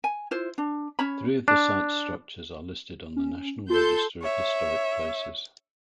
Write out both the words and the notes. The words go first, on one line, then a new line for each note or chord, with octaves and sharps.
Three of the site's structures are listed on the National Register of Historic Places.
G#5
E4 F4 C5
D4
C#4 C#5 B5
D4
C#4
F4 A4 C6 G6
C#5 E5